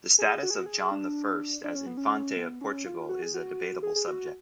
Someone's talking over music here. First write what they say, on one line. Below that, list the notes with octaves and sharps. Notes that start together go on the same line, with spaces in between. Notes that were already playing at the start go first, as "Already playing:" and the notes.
The status of John the First as Infante of Portugal is a debatable subject.
G#4
F#4
G#4
F#4
G#4
D4
D4
C#4
B3
C#4
B3
C#4
F4
F#4
G#4
F#4
G#4
G#4
F#4